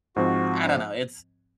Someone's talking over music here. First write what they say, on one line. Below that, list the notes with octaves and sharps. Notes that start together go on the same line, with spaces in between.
I don't know. It's
G#2 F3 C4 F#4